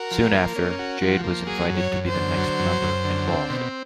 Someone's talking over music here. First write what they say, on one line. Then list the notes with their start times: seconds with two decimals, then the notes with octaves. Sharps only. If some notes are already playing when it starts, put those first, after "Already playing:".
Soon after, Jade was invited to be the next member involved.
Already playing: F#4 A#4
0.11 F3
0.33 A#3
0.56 C#4
0.79 F#4
1.02 F3
1.24 A#3
1.46 F#3 G#4
1.69 F#2
1.76 C#5
1.92 F#2
2.07 C5
2.14 D3
2.37 F#3
2.59 F#2
2.82 F#2
3.04 D3
3.27 C4
3.50 B2